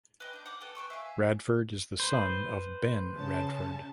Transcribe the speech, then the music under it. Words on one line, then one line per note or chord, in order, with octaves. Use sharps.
Radford is the son of Ben Radford.
B4 D#5 G5
D4 G6
F#5 D6 F6
B3 A4 G5
B4 G5 C#6 E6
E5 F5 G5 G#5
B4 C5
C#3 C#4 A5